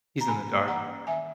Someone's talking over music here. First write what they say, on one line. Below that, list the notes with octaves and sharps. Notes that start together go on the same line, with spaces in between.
He's in the dark, yeah.
A#5
E3 G#5 B5
A#3
E3 F#5 A#5
C#4
D#3 E5 G#5